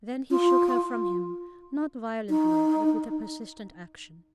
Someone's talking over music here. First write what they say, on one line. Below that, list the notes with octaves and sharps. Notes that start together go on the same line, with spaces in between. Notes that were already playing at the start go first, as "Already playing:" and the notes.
Then he shook her from him, not violently, but with a persistent action.
F4
D#4